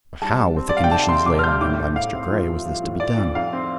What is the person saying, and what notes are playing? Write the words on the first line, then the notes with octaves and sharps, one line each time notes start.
But how, with the conditions laid on him by Mr. Grey, was this to be done?
G3 A5
G3
C4
D5
G3 F5
G5
C3 A5
C3 C6
C3 D6
F6
G3 G6
A2 D6
A2
A2 F5
C4
F3
F3
F3
A2
F3 D5
F2
F2 F5
C4